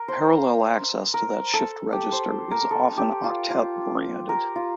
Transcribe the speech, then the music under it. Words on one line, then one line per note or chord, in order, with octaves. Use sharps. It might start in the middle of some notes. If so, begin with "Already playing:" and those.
Parallel access to that shift register is often octet-oriented.
Already playing: A#4
C5
A#4
A4
G4
C5
A#4
A4
G4
F4
F4
A#4
F4